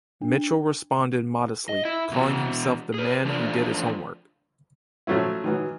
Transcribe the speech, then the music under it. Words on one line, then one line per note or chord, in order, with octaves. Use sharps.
Mitchell responded modestly, calling himself the man who did his homework.
D4
D#5
E4 E5
B2 E3 F#4
G#4 B4
E3 F3 A3 D4 F4 D5
F3 F#3 A3 C#4 E4
D#3 E3 F#3